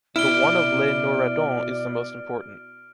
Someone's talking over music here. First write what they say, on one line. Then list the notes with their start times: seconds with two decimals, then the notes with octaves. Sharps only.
The one of Les Nourradons is the most important.
0.16 B2 E4 D5 F6 D7 G7